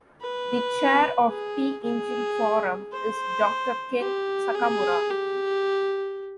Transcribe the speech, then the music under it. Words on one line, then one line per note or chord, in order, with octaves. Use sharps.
The chair of T-Engine Forum is Doctor Ken Sakamura.
B4
G#4
G#4
C5
G4
G#4
G4